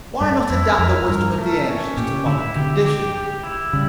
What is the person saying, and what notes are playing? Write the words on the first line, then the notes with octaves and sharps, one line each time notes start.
Why not adapt the wisdom of the ancients to modern conditions?
G2 A3
F2 E4
F2 A#4
G2 A#4
A3
C#4
A#2 G4
D3 E4
D3 G4
G4
G4
E4
C#3 G3